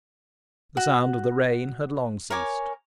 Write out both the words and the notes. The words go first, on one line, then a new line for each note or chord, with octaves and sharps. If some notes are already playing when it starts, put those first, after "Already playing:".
The sound of the rain had long ceased.
F#4
A#4 C#5 G#5 D6